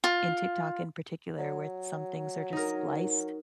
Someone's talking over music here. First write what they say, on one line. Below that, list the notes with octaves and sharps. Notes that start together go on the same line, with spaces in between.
in TikTok in particular, where some things are just spliced,
F4
F#3
D#4 A#4